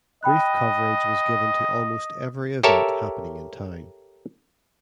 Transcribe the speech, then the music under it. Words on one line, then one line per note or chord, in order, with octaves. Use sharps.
Brief coverage was given to almost every event happening in town.
D#5 G5 B5 F#6
G4 A4 A#4 C#5 E5 A5